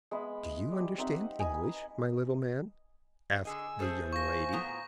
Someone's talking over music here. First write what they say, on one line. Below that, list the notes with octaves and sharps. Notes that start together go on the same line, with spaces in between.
"Do you understand English, my little man?" asked the young lady.
G#3 B3 E5 B5
G3
C4 D#4 E5 F#5
B4 D#5 G#5
D3 G#4 D#5 G#5 E6
A3 G#4 A4 C5
F4 G#5 C#6 A#6
A2 B3 A#5